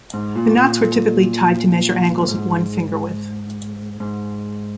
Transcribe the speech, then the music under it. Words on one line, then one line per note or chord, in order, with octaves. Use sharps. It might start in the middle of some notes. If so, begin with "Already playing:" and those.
The knots were typically tied to measure angles of one finger-width.
G#2
A#2
A#2
F#2
G#2
G#2